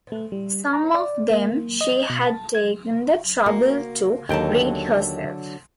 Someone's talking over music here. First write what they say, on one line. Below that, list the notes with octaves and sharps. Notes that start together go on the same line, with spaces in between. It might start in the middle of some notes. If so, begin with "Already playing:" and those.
Some of them she had taken the trouble to read herself.
A3
G3
A#5
D5
A#3
D#5
B2
A5
G#6
A#3 F#4
D#2 D3 F#3 G5 A5